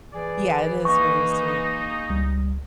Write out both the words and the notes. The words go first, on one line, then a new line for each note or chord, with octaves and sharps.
Yeah, it is very sweet.
E3 G#4 D5
G#3 A#3 D#4 C#6
C#2 G3